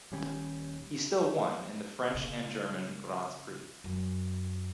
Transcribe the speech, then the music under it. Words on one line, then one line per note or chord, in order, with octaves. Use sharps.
He still won in the French and German Grands Prix.
D#1 D#2 G3 C#4
A#2 C#3
F#2